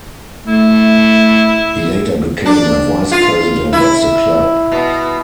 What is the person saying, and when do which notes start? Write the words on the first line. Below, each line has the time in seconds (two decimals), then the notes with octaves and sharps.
He later became a Vice-President of the Club.
0.47 A3 E4
2.46 D4
3.12 F4
3.73 E4
4.72 B2